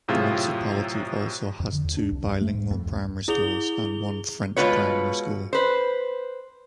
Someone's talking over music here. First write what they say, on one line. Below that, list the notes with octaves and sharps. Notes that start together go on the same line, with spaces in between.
The municipality also has two bilingual primary schools and one French primary school.
F#2 A2 C3 F4 G#4
F2
D3
E2
D4
C2
F2
A3
G#2
F2
C2
E4 G#4 F7 G7
B2 G#3 A3 F4 B4 C#5
B4 C5